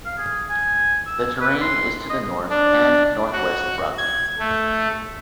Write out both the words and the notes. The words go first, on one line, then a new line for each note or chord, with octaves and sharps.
The terrain is to the north and north-west rocky.
F5
G#4
G#5
E6
B4
C6
D#5
D4
F#4
G#6
A3